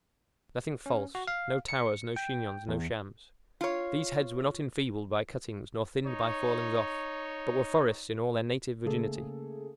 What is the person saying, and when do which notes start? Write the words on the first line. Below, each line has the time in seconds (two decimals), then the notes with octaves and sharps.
Nothing false; no towers, no chignons, no shams! These head were not enfeebled by cuttings nor thinned by fallings-off, but were forests in all their native virginity!
0.86 C#4
1.15 F#4
1.27 F5
1.68 C#7
2.16 G5
2.68 E2
3.61 F4 C#5
6.07 D#4 C#5
8.86 C#3 A3 A#3 G#4 A4